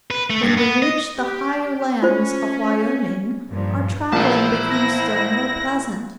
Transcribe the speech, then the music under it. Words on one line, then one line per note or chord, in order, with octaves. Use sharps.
When we reached the higher lands of Wyoming, our traveling became still more pleasant.
B4
A3
G2
B3
D#5
G4
C#4 F4 C5
G2 A#2 F3
A#1 E4 C5 A5
A#6